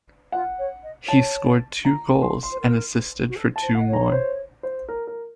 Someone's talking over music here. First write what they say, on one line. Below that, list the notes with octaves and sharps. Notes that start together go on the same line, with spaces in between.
He scored two goals and assisted for two more.
F4 F#5
C#5
D#5
C#5 A5
A#5
C6
C6
C5
A#4
F#4
A4
A5
C5
D#5 F#5
C#5
A#5
C5
C5
A#4
A#4